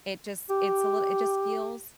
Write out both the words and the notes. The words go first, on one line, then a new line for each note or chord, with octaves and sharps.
It just it's a littl it just feels
G4